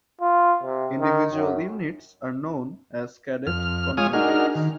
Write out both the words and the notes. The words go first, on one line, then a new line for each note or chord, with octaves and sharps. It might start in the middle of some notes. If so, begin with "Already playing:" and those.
Individual units are known as Cadet Contingents.
F4
C3
D#3
F#2
F2 F6
G#3 F4 C#5 G#5 D#6 F6
D4 D#4 F#4 G#4 A#4 F6
D#3